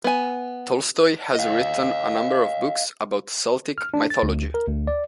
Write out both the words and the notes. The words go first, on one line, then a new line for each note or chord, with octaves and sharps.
Tolstoy has written a number of books about Celtic mythology.
B3 G#5
D#5 F5
F6
D4
A6
D2
A#4
D2
D5